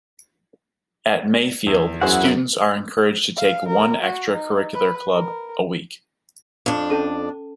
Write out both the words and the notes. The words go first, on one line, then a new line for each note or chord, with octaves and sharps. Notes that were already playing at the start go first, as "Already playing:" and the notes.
At Mayfield students are encouraged to take one extra curricular club a week.
E2
F#2 E4 F#4 G#4 C5 F#5
F5
A#4
F#4
D#4
B4
A#4
F2 D4
C#4 A4 A5